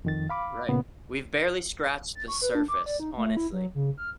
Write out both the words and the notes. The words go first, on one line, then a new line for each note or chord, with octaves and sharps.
Right, we've barely scratched the surface, honestly.
F2 D#3 A6
F5 B5 D6
A#2 C#3 B3
A6
C#6
B4
D4
D6
D5
D#4
A3
E4
F#3
C#3
F6